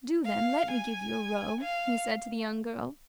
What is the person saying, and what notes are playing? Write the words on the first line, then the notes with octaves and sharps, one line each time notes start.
"Do, then, let me give you a row," he said to the young girl.
F5
G#5
F5